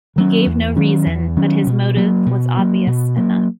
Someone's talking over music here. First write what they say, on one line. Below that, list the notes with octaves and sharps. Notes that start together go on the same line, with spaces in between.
He gave no reason, but his motive was obvious enough.
D#3 F#3 C#4
E2
D#3 F#3 C#4
E2
D#3 F#3 C#4
B2
F#3 A#3
B2
F#3 A#3
B2
F#3 A#3